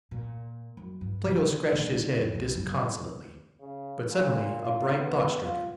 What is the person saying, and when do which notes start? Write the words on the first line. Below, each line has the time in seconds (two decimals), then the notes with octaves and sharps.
Plato scratched his head disconsolately, but suddenly a bright thought struck him.
0.11 A#2
0.77 F#2
1.01 G2
1.24 C3
1.37 D3
1.72 A#1
1.90 D#3
2.17 F2
2.35 C2
2.55 F#1
3.61 C#3
4.10 A#2
4.61 F4
4.97 B3
5.43 F4